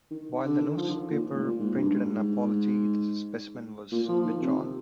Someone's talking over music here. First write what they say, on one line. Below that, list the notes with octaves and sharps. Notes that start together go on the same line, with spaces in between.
While the newspaper printed an apology, the specimen was withdrawn.
D#3
D3
D#3
F3
D3
D#3
A#2
G#2
A#2
G#2
G2
G#2
A#2
F3
D#3
C3